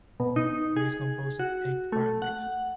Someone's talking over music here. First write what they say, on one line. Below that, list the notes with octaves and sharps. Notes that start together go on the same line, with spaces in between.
It is composed of eight barangays.
B2
D#4
G#4
F#4
A3
F#5